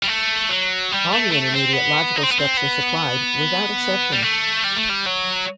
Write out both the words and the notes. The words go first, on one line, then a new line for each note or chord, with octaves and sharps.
All the intermediate logical steps are supplied, without exception.
G3
A3
F#3
G3
A3
A3
C4
B3
D#4
C4
B3
C4
B3
G3
A3
G3
A3
G3
F#3